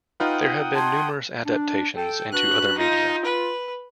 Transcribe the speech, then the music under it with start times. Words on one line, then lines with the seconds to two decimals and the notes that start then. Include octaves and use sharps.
There have been numerous adaptations into other media.
0.20 D#4 F4 B4 F#5 G5 D#6 F6
0.75 A5 C6 G#6
1.45 D4
1.96 A4 G5
2.32 D4 F#4 B4 F#6
2.78 D#4 F4
3.25 B4